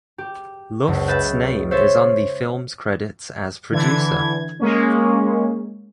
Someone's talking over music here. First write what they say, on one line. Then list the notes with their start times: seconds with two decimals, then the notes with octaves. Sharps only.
Luft's name is on the film's credits as producer.
0.18 G4
0.87 F#1 C#2
1.08 B4 D#5 E5 F#6 G6 A6
1.71 C5 C#5 E5 G#6 A6
3.71 D3 E3 G#6
4.59 G#3 A#3 C#4